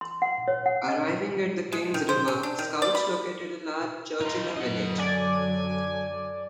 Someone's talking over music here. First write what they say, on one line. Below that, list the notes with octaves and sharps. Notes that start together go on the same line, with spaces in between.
Arriving at the King's River, scouts located a large Chowchilla village.
C6
F#5
C#5
F#5
D#5
G#3
D#3
C5
C#4
D4
D#3
D5
B5
D#4 F4
F#2 D3 F#3 D#5 F#5
D5 G#5